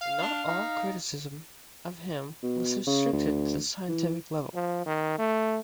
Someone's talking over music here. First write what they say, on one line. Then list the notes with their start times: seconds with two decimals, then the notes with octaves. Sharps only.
Not all criticism of him was restricted to the scientific level.
0.01 F5
0.22 D4
0.47 D#4
2.43 B2
2.87 C#3
3.13 D2
3.89 E3
4.55 F3
4.86 D#3
5.19 A3